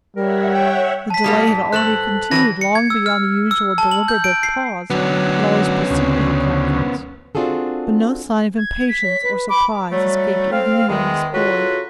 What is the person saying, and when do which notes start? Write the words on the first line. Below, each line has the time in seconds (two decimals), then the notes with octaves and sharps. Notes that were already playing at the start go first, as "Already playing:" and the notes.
The delay had already continued long beyond the usual deliberative pause that always preceded a conference; but no sign of impatience or surprise escaped even the youngest boy.
0.16 G3 A#4 C#5 E5 F#5
0.55 G5
1.10 A5 B6
1.24 B2 G3 A#3
1.47 G#2
1.73 G2 A4 C5 F#6 F#7
2.31 E3 F#3 C4 A#6
2.61 C#7
2.75 G#6
2.90 E6
3.06 F6
3.51 E6
3.78 A5
3.91 F#7
4.08 G6
4.24 D7
4.43 C7
4.90 D3 F#3 B3 C#4
5.91 D2 C#3
7.35 C4 D4 F4 F#4 G#4 A4
8.57 G#6
8.88 B6
9.04 C#5
9.23 B4
9.49 B5 D6
9.91 F#3 G3 A3
10.51 C4 A4 F5
10.88 E2 D#3 G#3
11.33 C#3 F#3 F4 F#4 A4 B4